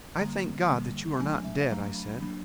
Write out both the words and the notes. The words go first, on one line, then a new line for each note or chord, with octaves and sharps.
"I thank God that you are not dead," I said.
D3 G3 A#3 A#5
D3 G3 A#3
A5
F#3 A3 D4 G#5
G#5
E5
F5
F#3 A3 D4 A#5
B5
F#3 A#3 D4 B5